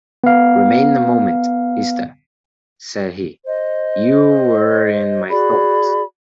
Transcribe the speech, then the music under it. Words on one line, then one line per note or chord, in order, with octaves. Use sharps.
"Remain a moment, Esther," said he, "You were in my thoughts."
B3 F5
C5 D#5
F#4 G#4 D5 B5